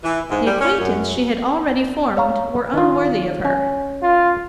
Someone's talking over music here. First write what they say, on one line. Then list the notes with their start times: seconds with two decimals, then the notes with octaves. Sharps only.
The acquaintance she had already formed were unworthy of her.
0.04 E3
0.30 G#2
0.46 G3
0.60 C#4
0.79 F#2
2.17 C#5 F5 A#5
2.74 D#3 F4
3.45 C#4
4.03 F4